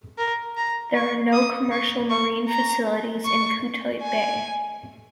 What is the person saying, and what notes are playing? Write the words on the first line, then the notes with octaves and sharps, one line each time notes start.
There are no commercial marine facilities in Cotuit Bay.
A#4
A#5
C#6
D#6
C#6
C#6
A#5
C#6
G#5